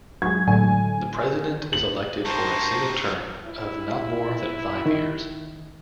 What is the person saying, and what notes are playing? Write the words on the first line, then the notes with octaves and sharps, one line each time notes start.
The President is elected for a single term of not more than five years.
F#3 G#3 G#6
A2 D3 F#3 G#5
F#7
G2 D#3 C5 A5 A#5 C#6
E4
D#3